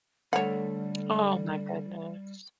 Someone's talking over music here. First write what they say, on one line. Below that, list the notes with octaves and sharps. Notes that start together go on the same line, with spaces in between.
Oh, my goodness.
D3 G3 A3 C#5 F#5